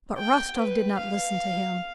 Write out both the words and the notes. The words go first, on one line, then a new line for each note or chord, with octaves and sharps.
But Rostov did not listen to him.
G5
B4
F5